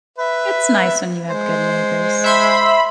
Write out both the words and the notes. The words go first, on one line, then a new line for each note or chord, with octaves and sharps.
It's nice when you have good neighbors.
B4 E5
G#3 C5
E5 B5 C6